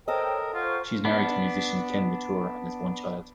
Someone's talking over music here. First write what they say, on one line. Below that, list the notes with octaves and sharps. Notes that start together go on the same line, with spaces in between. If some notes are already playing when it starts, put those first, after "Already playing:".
She's married to musician Ken LaTour and has one child.
A4 A#4 C5 C#5 D#5 G5
F4 C5 F#5 C#6
B3 D4